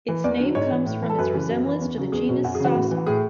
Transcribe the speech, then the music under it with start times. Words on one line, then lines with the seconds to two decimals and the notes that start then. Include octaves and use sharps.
Its name comes from its resemblance to the genus "Sasa".
0.08 E3
0.24 E2 D5
0.40 D3 F#3
0.55 G#2 C#5
0.71 E3
0.86 A2
1.02 E3
1.09 A4
1.18 F#2 B4
1.33 C#3 E3
1.49 F#2
1.66 E3
1.81 E2
1.97 C#3 F#3
2.12 E2 G#4
2.29 B2 F#3
2.44 F#2 F#4
2.55 G#4
2.60 C#3 E3 F#4
2.75 A2 F#4
2.91 E3
3.07 A2 G#4